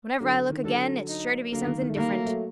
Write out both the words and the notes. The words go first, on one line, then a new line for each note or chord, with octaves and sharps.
Whenever I look again, it's sure to be something different!
D3 F#3
D3
D#3
D3 F#3 A4
D#4
D3 F#3 A#3
D#3
D#3
A3
D#3 G3 A#3
F#3 A3
F#3 A3